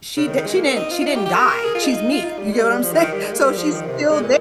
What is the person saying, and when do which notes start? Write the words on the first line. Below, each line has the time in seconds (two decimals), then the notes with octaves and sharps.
She d she didn't she didn't die. She's me. You get what I'm saying? So she's still there
0.17 C#3
0.27 D#3
0.37 D#3
0.46 G#3
0.56 A#3
0.66 C4
0.76 D#4
0.91 F4
1.01 F4
1.06 D#4
1.15 G4
1.26 G4
1.35 A#4
1.64 G#4
1.75 F4
1.84 D#4
2.12 F4
2.24 D#4
2.39 G3
2.52 G#3
2.63 G3
2.83 F3
2.93 D#3
3.03 D#3
3.13 G3
3.23 G#3
3.33 A#3
3.42 G3
3.57 F3
3.72 D#3
3.86 C3
4.02 C#3
4.11 G#3
4.21 A#2